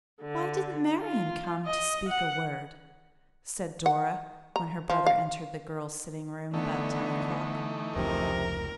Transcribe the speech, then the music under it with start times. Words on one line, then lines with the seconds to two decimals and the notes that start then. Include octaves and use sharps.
'Why didn't Marian come to speak a word?' said Dora, when her brother entered the girls' sitting-room about ten o'clock.
0.22 D3
1.00 F4
1.66 D#5
2.08 F#5
3.86 F#5
4.56 A#5
4.90 F3
5.06 F5
6.54 D3 E3 A3 B3 D4 D#4
7.96 F1 C#2 C3 F3 A#4